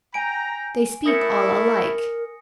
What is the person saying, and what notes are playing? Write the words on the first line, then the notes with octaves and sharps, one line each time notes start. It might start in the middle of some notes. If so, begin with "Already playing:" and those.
They speak all alike.
G5 G#5 A#5 D7
A3 E4 A#4 D#6 A#6 C#7